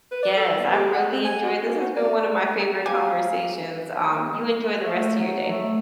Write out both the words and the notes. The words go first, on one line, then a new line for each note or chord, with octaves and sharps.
Yes, I really enjoyed This has been one of my favorite conversations, um, you enjoy the rest of your day.
B4
D5
A4
B3
G4
F#5
C4
G#5
F#4
A#3
F#4
D5
G4 F5 G#5
A3
F#3
A3